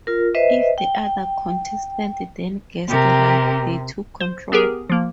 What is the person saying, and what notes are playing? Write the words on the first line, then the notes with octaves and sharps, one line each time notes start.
If the other contestant then guessed right, they took control.
F4 A#4
B4 C5 D#5 E5
G5
C3 G4 A#4
C5
B3 G4 G#4 A#4
F3 A#3